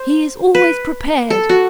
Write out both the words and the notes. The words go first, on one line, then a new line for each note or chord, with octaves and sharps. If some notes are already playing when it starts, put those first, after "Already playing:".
'He is always prepared!
Already playing: C5
B4
A4
F#4